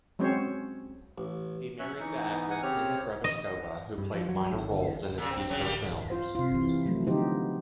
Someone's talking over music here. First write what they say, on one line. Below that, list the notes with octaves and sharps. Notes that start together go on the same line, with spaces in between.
He married the actress, Nina Grebeshkova, who played minor roles in his future films.
F#3 G#3 C4 C#4 C5 C#5
A1
F#3 C#4 C#5 E5 F#6
E3 D#4 C#6
B3
F#5 G#5
C#3 C4 G4 C#5 F6
D#5
G2
F3
F#3
G#1
G1
A#2 C#3
C4
C#3 F#3
G3 A#3
F4 C5
C3 F4
E3
F3 F#3 A3
D3 F3 B3 D#4 G4 C5